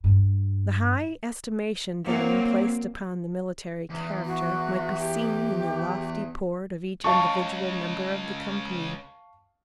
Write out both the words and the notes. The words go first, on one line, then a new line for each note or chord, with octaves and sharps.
The high estimation then placed upon the military character might be seen in the lofty port of each individual member of the company.
G2
F#3 A#3 C4
E2
F#4
G4
C#2 F5 A5 C#6